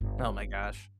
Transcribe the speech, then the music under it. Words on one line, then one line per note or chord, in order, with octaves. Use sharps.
Oh my gosh.
G1